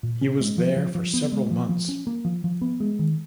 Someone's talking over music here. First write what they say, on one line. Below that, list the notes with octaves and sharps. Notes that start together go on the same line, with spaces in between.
He was there for several months.
A#2
C#4
G#3
F3
F3
F3
B3
G#3
F3
F3
C#4
A#3
F3
F3
B3
G#3
D#3